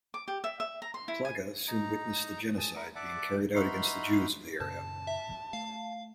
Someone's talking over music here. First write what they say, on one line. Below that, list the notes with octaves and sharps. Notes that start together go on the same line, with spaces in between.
Plagge soon witnessed the genocide being carried out against the Jews of the area.
D6
G4
E5
E5
A#5
C6
E4
G#5
D#4 A#5
G#4 A5
A#4 B4 F#5
D5 E5 F#5 A5 D6
D#4 E4 F#4 B5 C6 F6
F#2 A#2 C#3 A5
E5
A3 F5